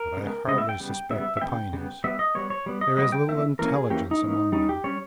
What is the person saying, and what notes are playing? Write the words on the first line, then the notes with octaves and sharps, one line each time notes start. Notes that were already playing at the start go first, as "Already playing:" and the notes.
But I hardly suspect the Pineys. There is little intelligence among them.
Already playing: A#4
C#3 G#3 B3
C#3 G#3 B3 D#5
E5
G5
C#3 G3 B3
C#3 G3 B3 E5
E5
C#3 G3 B3 G5
C#3 G3 B3
G3 B3 E5
D#5
G3 B3 C#5
C#5
G3 B3
D#5
G3 B3 D#5
G5
E3 A#3 C#4 E5
E3 A#3 C#4 A#4
G#4
E3 A#3 C#4 G4
D#4
E3 A#3 C#4
G3 C#4 D#4
G4
G3 C#4 C#5